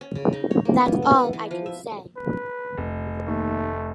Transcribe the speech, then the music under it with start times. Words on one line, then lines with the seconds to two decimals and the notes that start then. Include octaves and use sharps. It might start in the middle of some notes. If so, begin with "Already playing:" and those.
'That's all I can say.
0.01 C#4
0.15 C#3
0.33 D#4
0.51 C#5
0.65 A#3
0.86 B3
1.02 A4
1.18 B4
1.33 E3
1.51 F3
1.66 E5
2.16 B4
2.78 F1
3.27 D#2 A3